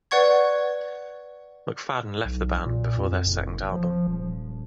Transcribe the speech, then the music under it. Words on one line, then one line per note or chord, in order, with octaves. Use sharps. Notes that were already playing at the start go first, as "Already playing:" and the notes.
McFadden left the band before their second album.
B4 D5 F#5 C#6 G#6
B1
A#2
F2
F2
F#1
F3
D#1